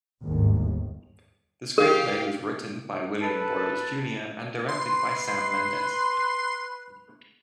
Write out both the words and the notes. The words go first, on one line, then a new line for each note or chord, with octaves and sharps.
The screenplay was written by William Broyles Junior and directed by Sam Mendes.
G1 D#2 G#2
G4 A#4 F5
A4 B4 A5
B4 C6